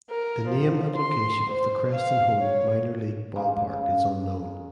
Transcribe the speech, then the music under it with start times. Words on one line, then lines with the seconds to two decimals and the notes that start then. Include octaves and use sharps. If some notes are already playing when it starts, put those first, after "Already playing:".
The name and location of the Creston home minor league ballpark is unknown.
0.10 A#4
0.48 F3
0.96 C6
1.50 C5
1.93 F5
2.40 C#5
3.36 C#3 G3 G#3 A#3
3.71 C#3